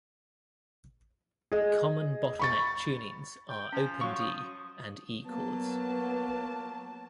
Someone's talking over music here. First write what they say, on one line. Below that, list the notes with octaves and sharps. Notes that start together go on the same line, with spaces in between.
Common bottleneck tunings are open D and E chords.
G#4 D#5
B5 C#6 A6
G5
F3 C#4 G#5
F#3 C#5 F5 C#6
D#6
F#3 A#3 B3 A5